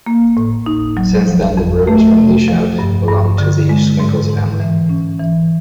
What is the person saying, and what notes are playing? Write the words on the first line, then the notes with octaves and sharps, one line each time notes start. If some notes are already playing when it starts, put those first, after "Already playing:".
Since then the brewers from Lieshout belong to the Swinkels family.
A#3
A2
D#4
F#3
F3
F2
A3
C3
F3
G2
G2
D3
G#3
G#2
G#2
E3
C#4
E3